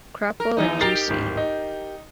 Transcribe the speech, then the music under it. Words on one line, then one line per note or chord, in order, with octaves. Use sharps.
Crapo and G.-C.
A#4
D#2 E3 D#4
G4 A#4 A6 C7
D1 G#1
D#4